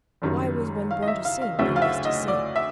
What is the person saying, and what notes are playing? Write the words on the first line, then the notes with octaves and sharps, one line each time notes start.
Why was one born to sing, unless to sing.
F#1 F#2 D#3 G3
F5
D#5
E5
F5
F5
D2 C#3 F#3 E5
F5
E5
D#5
D5
E5